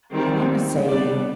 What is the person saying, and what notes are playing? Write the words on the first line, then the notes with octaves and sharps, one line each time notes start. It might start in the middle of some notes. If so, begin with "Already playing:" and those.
I wanna say
D#3 G3 C4
G3 B3 D4 D5